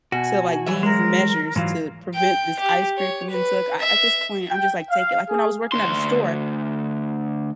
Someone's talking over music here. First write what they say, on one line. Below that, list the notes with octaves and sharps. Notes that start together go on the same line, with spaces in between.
to like these measures to prevent this ice cream from being took," a at this point, I'm just like, "Take it," like, when I was working at a store,
B2 F#4 G#5
E3 F#3 E5
G#3 A#4
G#2 E3 F#3 F4
G5
G4
C#5
B4
E5
G5
F5
G#4
D2 C6